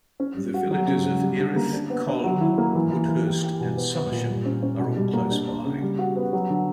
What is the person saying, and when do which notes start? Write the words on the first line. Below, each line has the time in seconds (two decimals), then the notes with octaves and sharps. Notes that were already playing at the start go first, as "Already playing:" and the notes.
The villages of Earith, Colne, Woodhurst, and Somersham are all close by.
0.20 C#4
0.37 G3
0.54 F#4
0.71 F#3
0.88 C#3
1.05 C#3
1.22 G3
1.39 D3
1.56 A#3
1.73 D4
1.90 B3
2.07 D4
2.24 F#3
2.41 E4
2.58 A#3
2.75 E3
2.92 E3
3.09 E3
3.26 G4
3.44 G4
3.61 B2
3.77 B3
3.95 B3
4.12 A#2
4.28 G3
4.46 C#4
4.63 C#4
4.79 B2
4.96 G3
5.13 A#3
5.31 D4
5.48 D4
5.65 C#3
5.82 G3
5.99 F#4
6.16 B3
6.33 F#3
6.50 D3